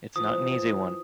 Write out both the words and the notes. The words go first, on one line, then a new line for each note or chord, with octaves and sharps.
It's not an easy one.
E3 F3 D#6